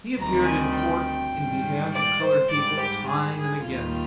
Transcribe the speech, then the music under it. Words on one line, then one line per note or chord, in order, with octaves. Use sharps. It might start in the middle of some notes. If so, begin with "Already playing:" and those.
He appeared in court in behalf of colored people, time and again.
D2 C3 D#3 G3 A#5
G#5
G5
G#2 D#3 G3
D5
C5
G#2 G3 D5
G4
G#4
G#4
D#2 D#3 G3 F4